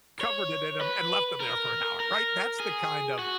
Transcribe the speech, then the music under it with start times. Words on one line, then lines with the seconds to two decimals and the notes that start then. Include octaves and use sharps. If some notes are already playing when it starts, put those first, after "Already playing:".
covered it in 'em, and left 'em there for an hour." Right? That's the kind of,
0.21 C#5
0.81 B4
1.40 A#4
2.00 A#4
2.60 G#4
3.19 F#4